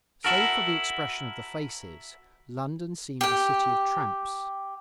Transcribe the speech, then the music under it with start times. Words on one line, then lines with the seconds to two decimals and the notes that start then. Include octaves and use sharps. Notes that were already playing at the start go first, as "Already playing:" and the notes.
Save for the expression of the faces, London seemed a city of tramps.
0.24 E4 F#4 A4 A#4
3.21 G4 G5